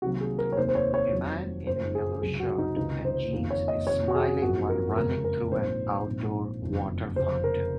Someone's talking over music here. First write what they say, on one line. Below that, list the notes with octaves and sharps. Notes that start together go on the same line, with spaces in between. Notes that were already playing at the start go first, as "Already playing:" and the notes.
A man in a yellow shirt and jeans is smiling while running through an outdoor water fountain.
C2 C3 D#3 F#3 A#3 F#4
G#4
A#4
C#5
F1 D#2 D#3 C5
C5
C#5
C#5
F2 D#3 F#3 C4
F#1 F#2 F3 C5
G#4
C#2 C3 F#3 G#4
F#4
D#4
C#2 C3 D#3 D#4
C5
F#1 F2 D#3 A#3
C#5
D#5
F2 C3 D#3 A#3 C#5
F#4
G#4
G#1 F#2 F3 A#3 F#4
A#4
F2 C#3 G#3 A#4
A#4
A#1 G#2 F3 C4 C5
A#1 G#2 F3 C4
F#1 F2 D#3 F#3
F1 F2 C#3 F3 C5
A#4